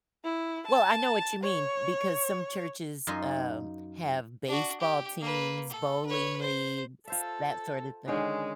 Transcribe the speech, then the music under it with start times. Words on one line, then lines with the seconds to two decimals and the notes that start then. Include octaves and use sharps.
Well, I know what you mean because some churches, um, have baseball teams, bowling leagues, that sorta thing.
0.24 E4
0.67 A5
1.43 C#5
3.07 F#2 D#4 F4 G#5 C6
4.48 D4 F#4
4.80 G4
5.20 A#3 B4
5.70 A4
6.06 B4 C#5
6.41 C5
7.07 F4 A4 C5 E5
8.08 D3 D#3 G#3 C#4